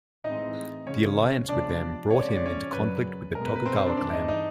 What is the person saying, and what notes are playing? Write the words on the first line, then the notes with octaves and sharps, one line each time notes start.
The alliance with them brought him into conflict with the Tokugawa clan.
A2 E3 G#3 C4 D#4 D#5
C#3 F3 G#3 C4 C#4 C#5
C3 F3 G#3 B3 D4 D5
C#3 F3 G#3 C4 C#5
D5
C#5
D5
C#4 C#5
F#2 C#3 F#3 B4
B2 G#3 B3 A#4
B4
B4
C4 C5
C4 C5
D4 D5
G2 E3 G#3 D4 D5
D#4 D#5
D#4 D#5